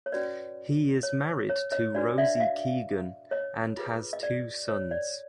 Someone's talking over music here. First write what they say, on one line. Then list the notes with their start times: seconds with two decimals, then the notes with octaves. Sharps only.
He is married to Rosie Keegan and has two sons.
0.06 C#5
0.12 C#4 F#4 B4 D5
1.03 C#5
1.49 C#5
1.72 C#5 D#5
1.95 D4 F#4 B4 D5
2.18 D5 E5
2.36 E5
2.40 D#5 F5
3.31 C#5 D#5
3.77 F4 G#4 B4
4.13 D#5
4.23 D5
4.68 C#5
4.91 D5